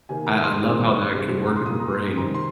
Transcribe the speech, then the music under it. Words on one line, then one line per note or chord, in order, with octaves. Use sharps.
I I love how that can work with the brain.
C3 D#3 A#3 G#5
A#5
C6
D#3 G#3 C4
C3 G#3 C4
A#5
C6
A#2 A#3 D#6
A#5
C6
C3 D#3 C4 A#5
C6